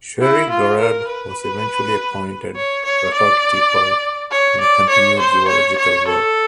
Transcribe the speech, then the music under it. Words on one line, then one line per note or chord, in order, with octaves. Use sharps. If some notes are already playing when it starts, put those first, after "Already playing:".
Cherry-Garrard was eventually appointed record keeper and continued zoological work.
E4
F4
A#4
B4
C#5
C#5
D5
C#5
D5
C#5
C5
C#5
C#5
A4